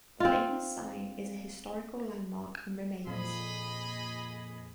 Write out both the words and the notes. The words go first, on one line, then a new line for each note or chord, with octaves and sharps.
The famous sign is a historical landmark and remains.
C4 F4
F2 A#2 G#4 D#5 B5